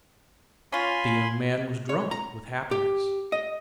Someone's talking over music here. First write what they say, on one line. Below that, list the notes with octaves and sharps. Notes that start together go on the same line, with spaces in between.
The young man was drunk with happiness.
C#4 F4 G#5 B5 C6
C#5
A#5
G4
D#5